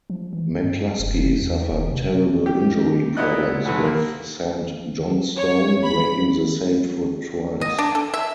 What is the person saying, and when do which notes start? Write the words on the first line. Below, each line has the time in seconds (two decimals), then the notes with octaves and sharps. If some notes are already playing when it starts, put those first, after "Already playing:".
McCluskey suffered terrible injury problems with Saint Johnstone, breaking the same foot twice.
0.10 F3
0.33 E3
0.64 G2
1.00 F1
1.42 E2
1.71 E1
1.91 C3
2.46 G4
3.17 A#2 B3 E4 D#5 F#6
3.65 B1 E3 A4 B4 F#5
3.84 A#3
5.37 C#5
5.83 B5
7.61 D#5
7.78 D4
7.95 A4
8.14 E5